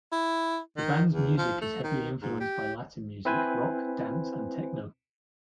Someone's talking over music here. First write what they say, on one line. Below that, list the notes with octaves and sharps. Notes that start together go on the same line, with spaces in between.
The band's music is heavily influenced by Latin music, rock, dance, and techno.
E4
D#3
E2
F3
A3
D#3
G#2
G4
C4 E4 B4 C5 G#5